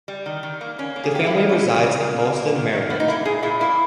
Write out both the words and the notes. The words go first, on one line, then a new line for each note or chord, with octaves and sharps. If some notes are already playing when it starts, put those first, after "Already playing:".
The family resides in Fallston, Maryland.
G3
D#3
D#3
A#3
A#3 C#4
A#3
G#4
D#3 G4
D#3 E4
D#4
E3 C#4
C#3
C#3
A#3
A#3
A#3
D#3
D#3
A#3 B3
D#4
A#3 E4
A#2 G#4
A#2 E4
A#3 E4